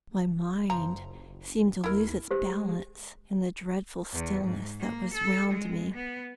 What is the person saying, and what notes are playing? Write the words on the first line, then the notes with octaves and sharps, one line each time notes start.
My mind seemed to lose its balance in the dreadful stillness that was round me.
F#1 F3 A#5
D#2 E4 A#4
G#3 G4 C5
E2
G#2
A#3
A4
G#3
B3